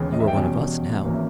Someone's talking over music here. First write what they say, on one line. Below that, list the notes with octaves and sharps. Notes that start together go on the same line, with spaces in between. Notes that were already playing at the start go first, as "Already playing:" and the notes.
You are one of us now.
Already playing: D#2 C#3 E3 G#3 B3
D#5
E5
G5
E2 B2 G3 C#4 G#5
G#1 E3 A#3 C#4
E5